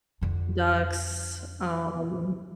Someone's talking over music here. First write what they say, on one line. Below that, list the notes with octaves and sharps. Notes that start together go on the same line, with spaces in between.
ducks, um,
F2 D3